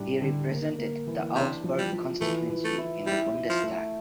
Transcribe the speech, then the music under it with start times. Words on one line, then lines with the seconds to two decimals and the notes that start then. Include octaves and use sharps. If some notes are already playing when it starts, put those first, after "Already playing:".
He represented the Augsburg constituency in the Bundestag.
Already playing: A2 G3 D4
0.21 D3
0.50 A#3
0.79 A#3
1.07 E3
1.35 C3 D4
1.64 F3
1.78 G3
1.93 F3
2.21 E3 A3
2.49 E3
2.64 A3
2.78 E4
3.06 G3 E4
3.35 E4
3.50 F3
3.63 A3